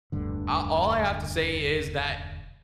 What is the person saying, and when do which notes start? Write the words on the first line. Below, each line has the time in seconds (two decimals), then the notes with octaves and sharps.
A all I have to say is that
0.12 E1 D2 G2 D3